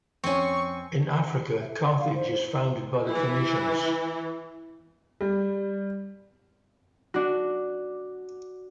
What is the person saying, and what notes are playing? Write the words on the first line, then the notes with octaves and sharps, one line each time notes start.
In Africa, Carthage is founded by the Phoenicians.
F2 C4 C#4 G#5 C#6
E5
A4
D5
F5
C5
C5
E4
E3 E4
G3
D4 F#4